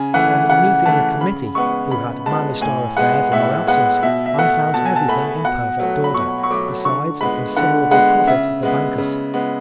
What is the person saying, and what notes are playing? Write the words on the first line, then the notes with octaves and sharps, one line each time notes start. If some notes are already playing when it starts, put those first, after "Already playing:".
On meeting the Committee, who had managed our affairs in our absence, I found everything in perfect order, besides a considerable profit at the banker's.
Already playing: C#3 G#5
E3 A3 F#5
C#3 F#5
E3 A3 A5
C#3 B5
G#3 B3 C#6
C#3 B5
G#3 B3 A5
A2 G#5
G#3 B3 F#5
A2 E5
G#3 B3 F#5
B2 E5
E5
A3 F#5
B2 A5
G#5
A5
A3 B5
B2 F#5
F#3 A3
B5
B2 C#6
C#6
F#3 A3 D6
D3 C#6
G#3 B3 B5
D3 F#5
G#3 B3 F#5
C#3 E5
G#3 B3
C#3
G#3 B3